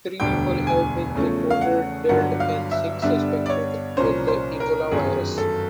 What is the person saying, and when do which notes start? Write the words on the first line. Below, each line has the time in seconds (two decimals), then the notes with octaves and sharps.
Three people have been reported dead and six suspected with the Ebola virus.
0.20 E1 D2 D3 G3 G5
0.67 G#5
1.15 E2 C#3 F3 A3 C#4
1.50 F5
1.61 F#5
2.09 G1 G2 D3 F#3 F#5
2.40 F5
2.71 E5
3.02 G2 D3 G3 B3 D4 E5
3.46 D5
3.49 C#5
3.97 C2 A#2 F3 A#3 C#4 C5
4.28 C5
4.60 A#4
4.91 G1 F#2 D#3 F#3 G#4
5.38 A4